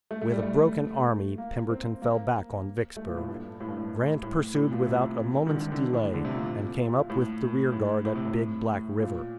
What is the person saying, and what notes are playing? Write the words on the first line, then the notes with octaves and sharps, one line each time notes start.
With a broken army, Pemberton fell back on Vicksburg. Grant pursued without a moment's delay, and came up with the rear guard at Big Black River.
A3
A3
G3
A3
A#3
C4
A#3
A3
A#2
A2
G2
A2
G2
A2
A2
A2
A#2
C3
D#3
D3
D#3
D3
A2
D3
C3
A#2
A2
A2
A2
C3
A2
A#2